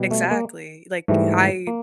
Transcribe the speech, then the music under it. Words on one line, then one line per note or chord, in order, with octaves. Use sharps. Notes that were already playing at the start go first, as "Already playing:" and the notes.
Exactly, like, I
Already playing: B2 G3
A3
A#3
G#2 E3 G3 A3
A#3